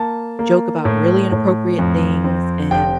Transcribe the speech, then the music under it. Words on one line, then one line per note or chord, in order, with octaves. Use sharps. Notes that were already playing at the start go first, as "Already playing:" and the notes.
joke about really inappropriate things and
Already playing: A#3 A5
A#3
A2
A2
F2
C4
F1 G5